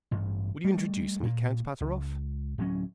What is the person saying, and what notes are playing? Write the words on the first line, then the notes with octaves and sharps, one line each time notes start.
"Will you introduce me, Count Pateroff?"
A1 G2
G3 A3
A#2 A#3
C#2
D1 G2 F#3 C#4